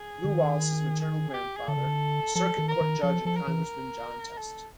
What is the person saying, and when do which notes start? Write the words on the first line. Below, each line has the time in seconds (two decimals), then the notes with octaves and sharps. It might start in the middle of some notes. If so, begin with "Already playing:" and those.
Lew Wallace's maternal grandfather was circuit court judge and Congressman John Test.
Already playing: G#4
0.24 D3
0.32 D#3
1.00 G#4
1.30 G#4
1.33 G4
1.56 G#4
1.67 D3 A4
1.77 C#3
1.86 D3
2.35 F3 A4
2.58 D#3
2.68 A#4
2.81 D#3
3.02 F3 A4
3.25 F3 A4
3.36 A#4
3.48 E3
4.37 A4